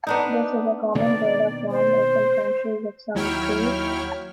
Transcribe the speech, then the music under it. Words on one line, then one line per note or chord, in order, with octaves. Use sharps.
This is a common bird of warm open country with some trees.
B3 D4 D#4
B2 D#3 A#3 D5
C5
D#2 F#3 E4 C#5 G5 F6